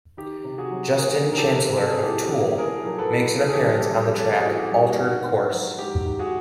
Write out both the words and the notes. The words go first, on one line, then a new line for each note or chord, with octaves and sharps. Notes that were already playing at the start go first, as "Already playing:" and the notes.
Justin Chancellor of Tool makes an appearance on the track, "Altered Course".
D#3 G4
C3
F#4 G#4
F#3
A#3 G#4 A#4
D#3
A#4
G4 A4
C3
F#3 A4
G#4
A2 G4 A4
A#3
A2 G#4 A#4
F#3
A4 B4
A2
E3 A4
G#4
G4 A4
G2
G4 A4
G3
G4
G#4
C4 G4 A4
F#4 G#4
E3
G4
G2
F#4
D#3 F#4
G#2
F#3
G#2 G4
D#3
F#4 G#4